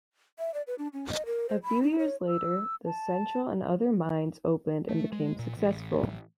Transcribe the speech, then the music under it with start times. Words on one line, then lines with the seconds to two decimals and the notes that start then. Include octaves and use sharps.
A few years later, the Central and other mines opened and became successful.
0.39 E5
0.54 D5
0.67 B4
0.79 D4
0.93 C#4
1.10 D#5
1.26 A#4
1.49 C5
1.63 B5
1.83 D#4
1.99 C#5
2.27 E6
2.86 A5
4.89 A3
5.12 G#3
5.39 A#2
5.57 A1